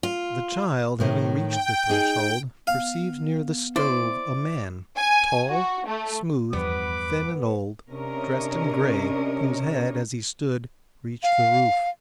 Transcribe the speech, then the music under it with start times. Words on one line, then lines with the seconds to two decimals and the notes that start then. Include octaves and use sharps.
The child having reached the threshold, perceived near the stove a man, tall, smooth, thin and old, dressed in gray, whose head, as he stood, reached the roof.
0.03 F4
1.00 A2 D#3
1.48 G5
1.90 D#4 G#4
2.67 B3 F5
3.76 E4 C5 D5
4.97 G#5
5.51 F#4
5.86 A3
6.53 E2 G2 F3 G3 B3 B4 D6
7.90 C3 C#4 D4 A#4 C#5 D#5
11.23 F5